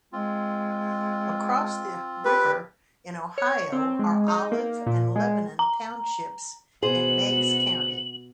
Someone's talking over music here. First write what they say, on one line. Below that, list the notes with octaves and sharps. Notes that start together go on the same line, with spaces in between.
Across the river in Ohio are Olive and Lebanon Townships in Meigs County.
G#3 C4 F4
G4 B4
C#5
C4
G#3
D#4
A#3
A#2
G#3
A#5
B2 F#4 G#4 C5 F#7